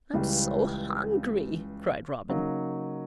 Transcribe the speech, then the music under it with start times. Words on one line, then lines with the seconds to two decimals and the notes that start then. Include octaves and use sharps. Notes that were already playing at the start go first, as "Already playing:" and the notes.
"I'm so hungry," cried Robin.
0.13 C#2 C#3 E3 G3
2.29 C#3 F#3 A#3 D#4